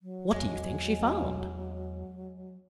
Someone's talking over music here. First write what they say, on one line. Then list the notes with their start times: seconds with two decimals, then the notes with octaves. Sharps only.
"What do you think she found?"
0.01 F#3
0.31 E2 G#3